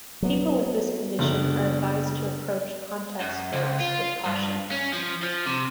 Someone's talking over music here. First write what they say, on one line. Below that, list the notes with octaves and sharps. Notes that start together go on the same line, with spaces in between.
People with this condition are advised to approach contact sports with caution.
F#3 B3
F#1 D3
F#2
C#2
F4
G2
C#4
F3
F3
C3